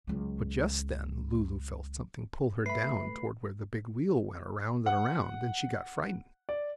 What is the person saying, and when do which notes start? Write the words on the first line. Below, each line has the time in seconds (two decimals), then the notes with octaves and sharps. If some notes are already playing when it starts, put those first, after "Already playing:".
But just then Lulu felt something pulling her down toward where the big wheel went around and around, and she got frightened.
0.07 C#2 F#3
2.66 A3 B4 E5 B5 C7
4.86 F#5
6.49 D5